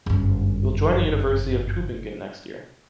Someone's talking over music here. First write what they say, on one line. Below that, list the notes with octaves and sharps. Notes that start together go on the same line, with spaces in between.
He will join the university of Tübingen next year.
G1 F#2